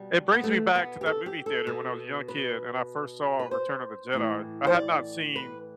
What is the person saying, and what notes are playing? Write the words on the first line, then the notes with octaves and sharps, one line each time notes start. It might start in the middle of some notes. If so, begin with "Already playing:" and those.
it brings me back to that movie theater when I was a young kid and I first saw Return of the Jedi. I had not seen
Already playing: B2 G3
B3
A3
B3
G4
A4
G4
A4
B2
B4
B4
C5
A2 E3
C5
D5
B4